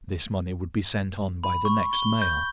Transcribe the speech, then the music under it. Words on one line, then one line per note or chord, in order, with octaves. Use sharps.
This money would be sent on by the next mail.
B5
C#6
G7
G6